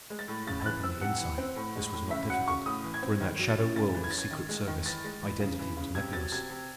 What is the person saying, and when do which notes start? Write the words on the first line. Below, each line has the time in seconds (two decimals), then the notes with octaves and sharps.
With help on the inside, this was not difficult, for in that shadow-world of secret service identity was nebulous.
0.10 G#3
0.19 A6
0.28 A2
0.47 C#3 A6
0.66 E3 F#6
0.83 C4 E6
1.01 C3 F#5
1.19 E3
1.38 C4
1.56 A2
1.75 G#3
1.93 A2
2.11 C#3 E5
2.30 F#3 F#5
2.48 C#3 C#6
2.66 A2 D#6
2.84 E3
2.94 G#6
3.03 C4
3.20 D#3 G#6
3.39 F#3
3.48 A6
3.58 C#4
3.75 C#3 A6
3.95 E3
4.04 G#6
4.11 C#4 A6
4.18 G#6
4.31 D#3
4.49 G#3
4.68 D#3
4.86 E3 A6
5.04 G#3
5.22 E3
5.40 C#3
5.59 E3
5.77 C#3
5.95 C3 G#6
6.13 F#3 A6
6.32 C3 G#6
6.50 C3